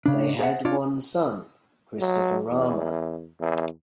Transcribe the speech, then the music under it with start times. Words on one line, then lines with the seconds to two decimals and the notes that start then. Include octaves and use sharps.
They had one son, Christopher Rama.
0.06 C#3 D4
0.39 G#4 C5 D5 E5 F#5
0.65 D4 F4 C#5 D5
1.99 F#3
2.50 E2
3.40 E2